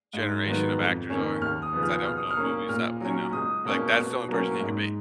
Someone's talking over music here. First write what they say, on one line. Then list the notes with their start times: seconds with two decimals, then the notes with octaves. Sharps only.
generation of actors are, 'cause I don't know movies that, you know, like, that's the only person he could be.
0.13 G#2
0.46 D#3 F#3 B3
0.77 F2
1.10 D#3 A#3 C#4
1.41 D#2 F6
1.62 D#6
1.73 C#3 F3 B3
1.83 F6
2.05 B2 F6
2.17 D#6
2.30 F6
2.37 A#3 C#4
2.69 A#2 F6
3.01 F#3 C#4
3.32 C#2 D#6
3.65 B2 A#3 C#4
3.96 B2
4.28 F#3 A#3 C#4
4.60 G#2